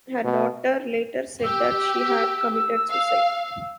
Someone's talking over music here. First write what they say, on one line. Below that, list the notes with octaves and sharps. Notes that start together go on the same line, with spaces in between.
Her daughter later said that she had committed suicide.
B2
G4 E6
F5